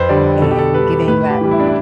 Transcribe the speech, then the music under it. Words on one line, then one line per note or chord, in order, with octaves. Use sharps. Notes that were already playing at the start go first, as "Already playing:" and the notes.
and, giving that
Already playing: F2 B4 C5
D3 G3 D5
B2 A4
G4
A4
G3 B4
A2 B4
G4
E3 G3
E4
D4
E4